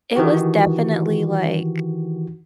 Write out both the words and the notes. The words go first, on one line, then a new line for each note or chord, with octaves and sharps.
it was definitely, like
D#3 E3 F#4 G4